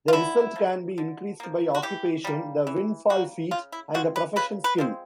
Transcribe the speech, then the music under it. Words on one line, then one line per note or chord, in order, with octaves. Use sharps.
The result can be increased by occupation, the Windfall feat, and the Profession skill.
F4
D3 E4
F3 A#3
D3
F3 A#3
F#4
E3 G4
G3 A#3
E3
G3 A#3 F#4
C#3 F4
E4
F3 G#3 C4 F#4
B4
C#3 B4
B4
F3 G#3 C4